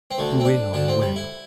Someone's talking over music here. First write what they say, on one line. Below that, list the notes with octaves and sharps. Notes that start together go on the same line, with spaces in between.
It drew in on the web.
C4
D2 D3 A3
C4
D4
D2 D3 D4
C4
G3
E4